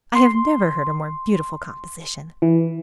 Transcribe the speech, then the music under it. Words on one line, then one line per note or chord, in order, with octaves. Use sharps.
'I have never heard a more beautiful composition.
C6
E3